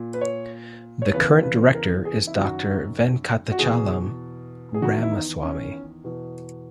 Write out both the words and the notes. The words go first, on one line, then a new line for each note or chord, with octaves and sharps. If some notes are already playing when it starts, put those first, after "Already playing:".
The current director is Doctor Venkatachalam Ramaswamy.
Already playing: A#2
B4
C#5
C#5
E2 C#3 E3 B4
B4
A#4
G#4
E4
F#2 D#3 F#4
F#4
E2 B2 G#4
G#4
E2 D#3 F#4
E4
D#4
C#4
E2 B2